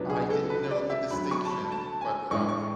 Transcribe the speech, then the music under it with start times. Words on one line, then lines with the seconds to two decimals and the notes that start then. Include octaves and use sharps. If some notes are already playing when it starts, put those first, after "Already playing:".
I didn't know the distinction, but, uh,
Already playing: C#2 B2 F#3 B3 D4
0.10 G#4
0.30 A4
0.50 B4
0.71 D5
0.90 E5
1.11 D2 D3 F#3 B5
1.31 C#6
1.45 A5
1.50 B5
1.72 A5
2.01 G#5
2.31 A1 A2 E3 G#3 D4 C#6
2.49 C#6